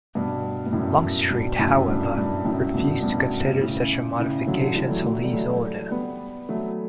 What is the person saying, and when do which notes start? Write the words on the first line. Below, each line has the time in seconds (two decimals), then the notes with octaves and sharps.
Longstreet, however, refused to consider such a modification to Lee's order.
0.15 G2 B2
0.66 G2
0.72 F#2 A2
1.30 G2 B2
1.59 F#2 A2
1.88 G2
2.17 G2
2.45 F#2 A2
2.74 G2 B2
3.02 G2 B2
3.60 A2 C#3
4.18 A2 C#3
4.47 D3 F#3
4.75 E3 G3
4.90 F#3 A3
5.04 F#3 A3
5.24 G3
5.33 F#3 A3
5.91 G3 B3
6.49 F#3 A3